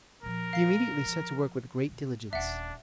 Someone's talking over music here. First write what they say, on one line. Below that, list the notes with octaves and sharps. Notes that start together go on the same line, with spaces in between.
He immediately set to work with great diligence.
A#2 F3 A#4
F5 C7
F3
B2
D#1 D3 D4 E5 F#5